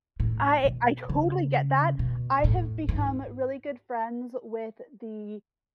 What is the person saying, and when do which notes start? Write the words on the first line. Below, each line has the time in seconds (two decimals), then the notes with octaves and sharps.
I I totally get that, I have become really good friends with the
0.20 A2
0.65 B2
1.09 C#3
1.99 B2
2.44 A2
2.89 G#2